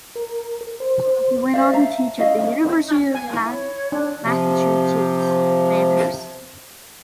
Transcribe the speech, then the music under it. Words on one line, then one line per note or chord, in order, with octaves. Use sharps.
He went on to teach at the University of Massachusetts Amherst.
A#4
C5
C5 D5 E5 F5
E5 F5 A5 A#5
C#4 E4 D#5 F5
G#5
E4
C#5
D4
C3 F3